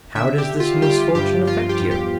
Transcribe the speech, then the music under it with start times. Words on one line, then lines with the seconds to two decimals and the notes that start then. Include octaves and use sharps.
How does this misfortune affect you?
0.15 D3 E5
0.38 G4
0.49 D3
0.60 F4
0.81 G3 G4
0.90 F4
0.97 G4
1.15 G2 G4
1.47 F3 F4
1.69 G4
1.79 E2
1.91 G4